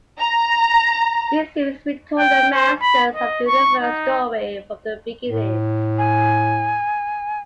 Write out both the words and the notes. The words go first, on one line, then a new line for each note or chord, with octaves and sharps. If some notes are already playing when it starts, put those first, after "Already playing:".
This series retold the Masters of the Universe story from the beginning.
A#5
G5
C5
B5
D#5
C#6
D#4
A2
G#5